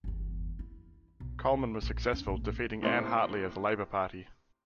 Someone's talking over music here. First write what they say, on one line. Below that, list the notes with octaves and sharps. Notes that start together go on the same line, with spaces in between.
Coleman was successful, defeating Ann Hartley of the Labour Party.
G1 E2
E4
B1
A#1
C#4 D4
A#1 A2
A2 C3 A#3 C5